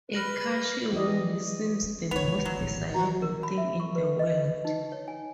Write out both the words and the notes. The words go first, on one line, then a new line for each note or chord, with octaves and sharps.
A cushy wound seems the most desirable thing in the world.
B4 F6 A#6 F#7
E3 G4 D5 D#5
C#4
C#2 G#2 B3 C#5 F7
F#3 G#3
A#1 A2
F#4 A#5
A#4
B5
E5
C#6
B4
D#5
D#4
C#5
G#5